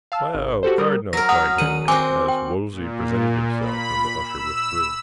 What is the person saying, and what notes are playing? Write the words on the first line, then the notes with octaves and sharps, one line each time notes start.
"Well, cardinal," cried Henry, as Wolsey presented himself, and the usher withdrew.
F5 A5 E6
G#1
F#4 G4 A4 C5
G3 A#4 D#6
F#3 A#4 A#6
F#5 D#6 F6
D#3 F#5 D#7
C4 F#4 G#5 D6
G5
A#2
B5
E6